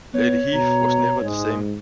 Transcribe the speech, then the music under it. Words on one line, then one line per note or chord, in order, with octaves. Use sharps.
Lady Heath was never the same.
B3 C#5
B2 A#5
G#2 G#3